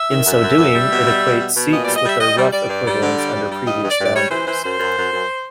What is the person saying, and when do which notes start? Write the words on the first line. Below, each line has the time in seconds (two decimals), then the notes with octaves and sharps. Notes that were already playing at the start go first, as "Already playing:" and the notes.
In so doing, it equates seats with their rough equivalents under previous boundaries.
Already playing: E5
0.10 D#3
0.26 F#2
0.42 F#2
0.58 F#2
0.74 G3
0.91 B2
1.07 G3
1.24 B2
1.39 B2
1.55 B2
1.71 A#2 D#5
1.84 G3 D5
1.96 D#5
2.05 G3 E5
2.20 G3 D#5
2.36 G3
2.53 G3 D5
2.68 G2 D5
2.85 G3
3.01 D3
3.18 G3
3.34 G2
3.50 G3
3.66 G2 D#5
3.82 G2
3.90 D5
3.99 G2
4.05 D5
4.14 G3 C#5
4.31 E3 C5
4.47 E3 C5
4.64 F#2 C5
4.80 F#2
4.96 F#2
5.12 F#2